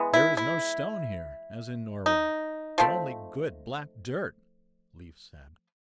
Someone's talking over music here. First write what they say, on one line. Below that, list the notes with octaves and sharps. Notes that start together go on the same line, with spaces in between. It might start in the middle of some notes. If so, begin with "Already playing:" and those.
"There is no stone here as in Norway, but only good black dirt," Leif said.
Already playing: E3 G#3 B3
E4
E4
D#4
F3 A3 C4